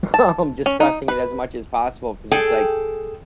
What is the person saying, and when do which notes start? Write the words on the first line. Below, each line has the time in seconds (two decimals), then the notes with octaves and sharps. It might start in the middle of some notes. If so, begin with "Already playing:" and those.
um, discussing it as much as possible 'cause it's, like
0.14 A5
0.66 C#4
0.80 D#4
1.08 B4
2.31 G#4 A4 G5 G#5